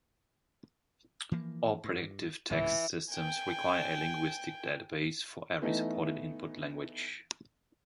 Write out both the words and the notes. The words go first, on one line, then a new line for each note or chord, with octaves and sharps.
All predictive text systems require a linguistic database for every supported input language.
E3 F3 A#3
G2
D1 C#2 G#2 E3
G5 G#5
E3 A3 B3 D#4